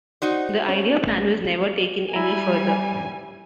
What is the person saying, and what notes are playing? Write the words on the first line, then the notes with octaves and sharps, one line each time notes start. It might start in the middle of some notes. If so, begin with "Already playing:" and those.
The idea plan was never taken any further.
D#4 F#4 C5 D5
C#4 C#5
G#1 A3 A#6
G3 E4 G#5 A#5